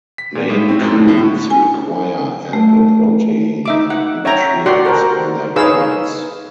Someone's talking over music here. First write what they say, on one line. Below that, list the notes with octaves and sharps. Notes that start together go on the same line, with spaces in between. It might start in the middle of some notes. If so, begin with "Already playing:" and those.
Maine Coons require ample protein and nutrients in their diets.
B6
A#2
A2
C4
F#2
D3
A2
G#5
A3
D#4 E5 D6
F#5
C#5 E5 G5 A#5
F#4 G4 D5 F#5 C6
A4 A#4 C5 G5
D#4 G#4 B4 C#5 F5 E6